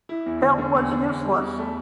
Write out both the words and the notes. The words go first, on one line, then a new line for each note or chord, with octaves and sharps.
Hill was useless.
E4
E2
D3
D3
E2
D3
E2
G3
E2
A3